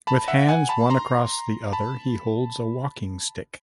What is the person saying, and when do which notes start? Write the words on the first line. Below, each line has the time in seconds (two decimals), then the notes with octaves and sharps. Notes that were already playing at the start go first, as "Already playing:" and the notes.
With hands, one across the other, he holds a walking stick.
0.07 A5 B5
0.28 E5 F#5
0.48 F#5 G#5
0.69 A5 B5
0.90 A#5 C6
1.73 A5 B5